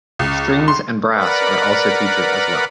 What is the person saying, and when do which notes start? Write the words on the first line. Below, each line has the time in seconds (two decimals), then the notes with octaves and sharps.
Strings and Brass are also featured as well.
0.19 C#2
0.68 C6
1.15 A#4 B4 D5 F#5 B5